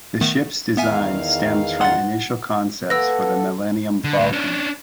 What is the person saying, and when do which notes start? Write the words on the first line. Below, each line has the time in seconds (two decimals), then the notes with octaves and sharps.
The ship's design stems from initial concepts for the "Millennium Falcon".
0.21 D#3 A3 B3
0.77 E2 D#3 B3 E5 F5 G#5
1.81 F#5 C6 A6
2.90 A#3 A4 B4 F#5 E6 A#6
4.04 D3
4.18 A2 D3
4.33 C#4 D4